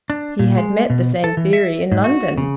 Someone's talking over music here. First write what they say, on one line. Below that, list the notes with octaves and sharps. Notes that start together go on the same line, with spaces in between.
He had met the same theory in London.
D4
A#2
G#3
B2
A4
E3
E5
G#2
F#4
C#3